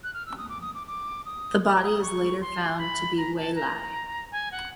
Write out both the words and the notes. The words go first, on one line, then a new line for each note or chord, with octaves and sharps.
The body is later found to be Wei Lai.
F#6
F6
E6
D#6
D6
D#6
D6
D6
D#6
D#6
D6
D#6
C#6
C6
B5
A#5
A5
A#5
G#5
F#5